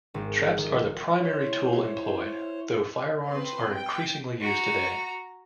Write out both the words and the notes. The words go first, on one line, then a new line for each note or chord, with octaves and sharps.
Traps are the primary tool employed, though firearms are increasingly used today.
G#1
D#3
E4 C5 C#5
C4 B4 C6
G5
F#4 A#5